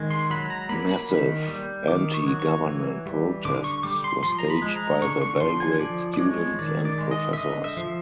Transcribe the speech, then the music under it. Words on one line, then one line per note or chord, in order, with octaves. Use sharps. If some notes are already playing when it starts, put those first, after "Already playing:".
Massive anti-government protests were staged by the Belgrade students and professors.
Already playing: D#3 G#3
C6
F#3 B5
A#5
A#3 B5
B5
D#3 B5
G3
D#3 D6
C#6
F#3
C#6
E3
G3
D3 D6
C#6
G3 D6
C6
F3 C6
A#5
B5
G#3
A#5
D3 C#6
C#6
F3 C6
G#5
F3 D5
D5
G#3 C#5
D#3 D5
D5
G#3
D#5
E5
D3 D#5
E5
F3